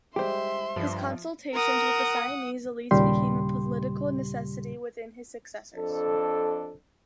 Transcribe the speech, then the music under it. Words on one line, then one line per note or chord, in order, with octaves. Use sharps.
His consultations with the Siamese elites became a political necessity within his successors.
G3 G#3 G4 C5 E5 C6
G2 F3
A#4 F#5 D#6
D#2 A#2 C#3 G3 G4 C6
F2 D4 A4